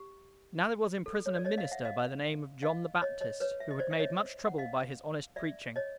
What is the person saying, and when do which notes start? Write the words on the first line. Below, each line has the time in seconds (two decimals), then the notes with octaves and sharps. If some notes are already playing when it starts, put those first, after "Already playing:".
Now there was in prison a minister by the name of John the Baptist, who had made much trouble by his honest preaching.
Already playing: G4
1.06 A4
1.26 C#5
1.35 D5
1.45 C#5 D#5
1.58 D#5 F5
1.71 E5 F#5
1.85 D#5 F5
2.62 D#5 F5
3.02 C#5 D#5
3.21 C#5 D#5
3.40 B4 C#5
3.60 E5
3.71 D#5
3.80 C5 D5
3.91 E5
4.00 C#5 D#5
4.47 F#5
4.58 D#5 F5
5.36 D5 E5
5.76 C#5 D#5